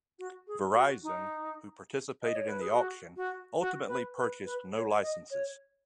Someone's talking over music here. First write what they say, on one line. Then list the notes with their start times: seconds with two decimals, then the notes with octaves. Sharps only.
Verizon, who participated in the auction, ultimately purchased no licenses.
0.19 F#4
0.47 G#4
0.69 G#4
0.75 F#4
1.03 D#4
2.22 D#5
2.35 C#5
2.48 B4
2.61 G#4
2.74 F#4
3.16 F#4
3.60 F#4
3.88 B4
4.16 B4
4.45 B4
4.74 C#5
5.02 D#5
5.31 C#5